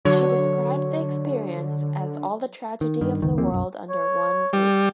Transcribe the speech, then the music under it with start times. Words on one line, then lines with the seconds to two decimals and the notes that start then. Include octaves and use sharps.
She described the experience as all the tragedy of the world under one roof.
0.05 D3 F#3 C#5
2.81 D#3
3.01 G2 D#3
3.22 F#1 C#2 D#3
3.38 D#2 F3 A#3 C4
3.51 B1 F#2
3.91 C#5
4.53 G3